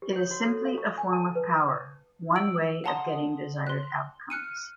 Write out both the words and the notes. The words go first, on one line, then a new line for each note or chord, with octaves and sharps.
It is simply a form of power, one way of getting desired outcomes.
G4
C#5
F#4
A4
F5
C#6
G#5
A5
B4
E6 D7 F#7
F5 F#5 A5 A#5 C6 D#6
C6 F#6
F6 F#6 C#7 D#7